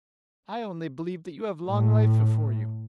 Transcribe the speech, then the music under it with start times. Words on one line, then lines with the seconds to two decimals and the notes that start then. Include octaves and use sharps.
I only believe that you have long life before you.
1.66 A2